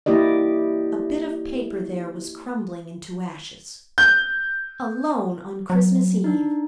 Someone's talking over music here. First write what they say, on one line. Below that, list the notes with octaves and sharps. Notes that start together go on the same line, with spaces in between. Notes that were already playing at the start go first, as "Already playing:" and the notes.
A bit of paper there was crumbling into ashes. Alone on Christmas Eve!
A#3 E4 G4 D5 D#5
G6
F#3
D4 D#4